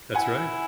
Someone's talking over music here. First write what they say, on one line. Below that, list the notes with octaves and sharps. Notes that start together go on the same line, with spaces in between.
that's right.
E4 F#5 G#5